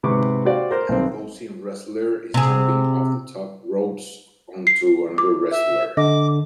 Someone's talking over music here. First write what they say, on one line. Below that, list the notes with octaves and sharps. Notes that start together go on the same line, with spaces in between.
An opposing wrestler is jumping off the top ropes onto another wrestler.
G#2 C3 B3 C#6 D6
F#4 G4 C5 D5 F5
A#4 C5
B1 D#3 C4
C3 G#4
C7
D6
E5
D3 D#5 D6